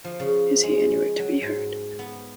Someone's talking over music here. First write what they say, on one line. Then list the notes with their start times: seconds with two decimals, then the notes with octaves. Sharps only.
Is he anywhere to be heard?
0.04 F3
0.20 C#3
0.63 G#3
1.19 F#3
1.42 G#2
1.99 B3